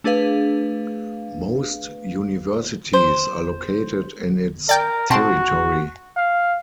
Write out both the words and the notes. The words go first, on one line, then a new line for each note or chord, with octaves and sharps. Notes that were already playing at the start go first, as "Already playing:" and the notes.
Most universities are located in its territory.
A3 D4 G#4 B4 F5
C5
A#4 D5 G5
B2 C4 F#4 A5
F5